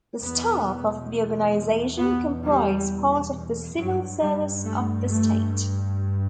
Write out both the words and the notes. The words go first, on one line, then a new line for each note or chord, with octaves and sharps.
The staff of the organisation comprise part of the Civil Service of the State.
E2 B2 B3
B3
G3
G2 F#3
G3
A3
A3